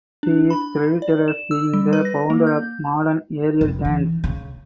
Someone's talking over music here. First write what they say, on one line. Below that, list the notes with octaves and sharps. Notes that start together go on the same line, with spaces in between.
She is credited as being the founder of modern aerial dance.
D4
B5
D5
E7
E6
G3
B4
A#6
A#3
G6
F1
E3
C#3